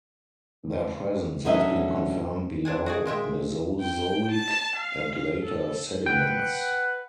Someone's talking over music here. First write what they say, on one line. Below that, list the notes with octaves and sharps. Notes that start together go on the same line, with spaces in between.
Their presence has been confirmed below Mesozoic and later sediments.
B2 D3 F#3 C#4 D#5 E5
C3 D4 F#5 G#5
F#4 G#4 D5
A#2 G#3 E5 G5
G5
A5
F5
A4
B4 F#5 G5